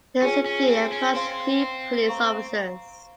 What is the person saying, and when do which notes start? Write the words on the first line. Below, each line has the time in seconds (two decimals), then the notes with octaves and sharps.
The city employs three police officers.
0.22 C#4 F4 G#4 C#5 G#5
0.46 C#4
0.69 C4
0.92 C#4
1.15 C4 C5 F5 C6
2.09 C5 F5 A#5 C#6